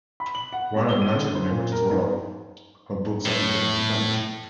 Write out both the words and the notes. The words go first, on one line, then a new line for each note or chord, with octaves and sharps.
While her native language is Wolof, her books are written in French.
B5
F#7
F#5
G#3
G7
D#7
D3
C5
A#2
A#4
G#2
A2